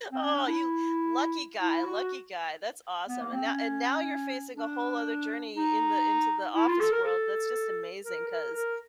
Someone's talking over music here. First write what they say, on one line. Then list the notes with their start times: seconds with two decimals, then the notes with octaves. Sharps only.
Oh, you lucky guy, lucky guy, that's awesome, and now and now you're facing a whole other journey in the into the office world, that's just amazing 'cause,
0.12 C4
0.23 C#4
0.35 D4
0.47 E4
1.59 E4
1.84 F#4
3.08 B3
3.20 A#3
3.33 C4
3.45 C#4
4.57 D4
5.56 D#4
6.54 E4
6.67 F4
6.80 A4
6.91 A#4
7.04 A4
8.03 A#4
8.28 A#4
8.53 A#4